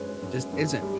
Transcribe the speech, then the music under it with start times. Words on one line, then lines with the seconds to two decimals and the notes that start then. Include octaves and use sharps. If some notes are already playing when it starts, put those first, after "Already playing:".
It just isn't.
Already playing: F#2 G#3 B4 C#5
0.22 F#2
0.53 F#2
0.82 G3